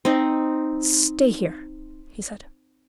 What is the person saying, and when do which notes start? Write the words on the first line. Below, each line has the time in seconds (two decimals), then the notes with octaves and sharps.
"Stay here," he said.
0.05 C4 D#4